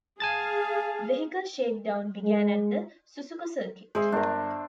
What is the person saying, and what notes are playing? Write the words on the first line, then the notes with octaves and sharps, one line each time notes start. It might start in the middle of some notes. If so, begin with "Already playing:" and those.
Vehicle shakedown began at the Suzuka Circuit.
G#4 F5 G#5 A5 A6
G#3
G#3 G#4 C5 E5
G1 D4 A#4